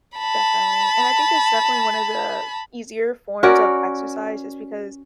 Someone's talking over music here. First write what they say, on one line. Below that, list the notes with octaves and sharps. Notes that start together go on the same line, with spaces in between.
Definitely, and I think it's definitely one of the easier forms of exercise just because,
A5 B5
C#4 F#4 A#4 D5